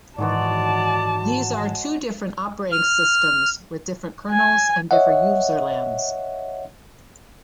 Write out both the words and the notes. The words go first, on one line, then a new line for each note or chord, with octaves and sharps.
These are two different operating systems with different kernels and different userlands.
G#2 D#3 E3 F#3 G#3 F#4 D5 A5
F6
G#5
C#5 D#5 E5 F#5